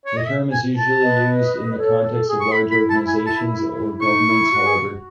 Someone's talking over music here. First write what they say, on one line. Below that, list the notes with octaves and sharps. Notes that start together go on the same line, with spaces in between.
The term is usually used in the context of large organizations or governments, however.
C#5
D#5
E5
G#5
A5
B4 D#5
A4 C#5
A4
G#4
C#6
E4 B5
B5
A5
G#5
A5
D#4 C#6
E4
F#4
G#4
F#4